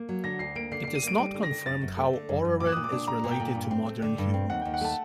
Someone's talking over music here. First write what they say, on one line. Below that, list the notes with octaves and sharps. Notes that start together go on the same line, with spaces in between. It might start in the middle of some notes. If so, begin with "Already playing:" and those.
It is not confirmed how "Orrorin" is related to modern humans.
Already playing: A#3
F#3
D3 A#6
D2 C7
A#3 D7
D3 C7
C7
D3
D#7
A#3 D7
G3 D7
D3
A#6
D3
F#2 A6
F#2
A3
D3
F#2
F#2
A#2 D6
F#6
D#6
A#2
D6
D4
A3 A#5
A#2
G5
A#2
G2
C4
A3
D3
G2
C4
D#2 F#5
G5
D#2
F#5
A3 A5